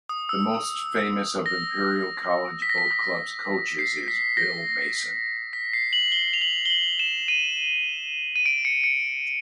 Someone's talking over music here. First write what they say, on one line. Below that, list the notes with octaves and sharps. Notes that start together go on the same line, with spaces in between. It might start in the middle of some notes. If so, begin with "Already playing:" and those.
The most famous of Imperial College Boat Club's coaches is Bill Mason.
D#6
E6
A#6
B6
A#6
B6
C7
B6
A#6
B6
C7
F#7
G7
F7
F#7
G7
F#7
E7
D#7
D#7
D7
C#7
C#7